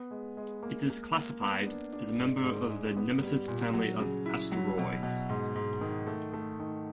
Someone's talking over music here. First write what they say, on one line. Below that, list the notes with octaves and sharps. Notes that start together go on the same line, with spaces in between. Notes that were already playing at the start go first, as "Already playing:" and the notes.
It is classified as a member of the Nemesis family of asteroids.
Already playing: B3
G#3
G#3
A#3
A#3
A#3
B3
D4
D4
G#2
G#2
G#3
B3
G3
A#2
F#3
C#3
E4
F#3
B2
B2
G#2
G#2
D#3
A3
A3
D#3